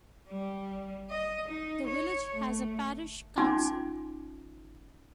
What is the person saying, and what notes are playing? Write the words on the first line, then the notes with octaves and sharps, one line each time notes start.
The village has a parish council.
G3
D#5
D#4
C#5
A3
C#4 D#4 F4 G#5 C6 D6